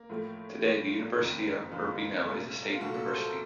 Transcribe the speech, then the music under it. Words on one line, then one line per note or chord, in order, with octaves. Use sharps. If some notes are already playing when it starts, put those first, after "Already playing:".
Today, the University of Urbino is a state University.
Already playing: A#3
A2 F3 A3
A2 F3 A3
F#1 F2 D#3
F#1 F2 D#3 F4
C2 A#2 A3
F4
C2 A#2 A3 F#4
A4
C5
A4
A#4